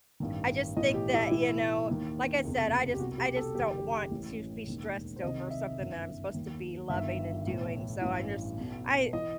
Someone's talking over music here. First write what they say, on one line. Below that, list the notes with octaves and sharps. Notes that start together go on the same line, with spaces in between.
I just think that you know, like I said, I just I just don't want to be stressed over something that I'm supposed to be loving and doing, so I just I
A1 G2 D#3
B1 A2 E3 D#5
G4
E4
B1 A2 E3 E4
D#2 D#3
F#1 E2 C3
G4
C2 B2 F#4
G4
A4
F#1 F#2 D#3 G4
A1 A2 E3
E1 D#2 D#3
C5
C2 C3 D#3 D#5
E5
G1 F#2 D#3
D#2 D#3
G1 G2 D#3 E5
B1 A2 E3
A1 G2 E3
B1 B2
E3 D#5